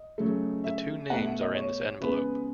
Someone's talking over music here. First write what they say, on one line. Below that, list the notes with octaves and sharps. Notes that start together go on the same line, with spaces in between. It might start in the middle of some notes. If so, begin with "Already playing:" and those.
The two names are in this envelope.
Already playing: D#5
C#3 F#3 A3
E5
B2 A3 F#5
E5
D#5
C#5
C#3 G#3 B3 B4